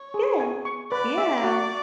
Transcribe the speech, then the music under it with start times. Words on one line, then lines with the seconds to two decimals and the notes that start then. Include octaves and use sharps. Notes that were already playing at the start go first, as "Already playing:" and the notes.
Good. Yeah,
Already playing: C#5
0.14 G#4
0.40 G#5
0.65 C#6
0.92 B4 D5
1.18 E5
1.44 F#4